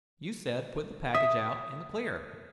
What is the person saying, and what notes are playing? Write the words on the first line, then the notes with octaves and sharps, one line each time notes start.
You said, put the package out in the clear.
E5 D#6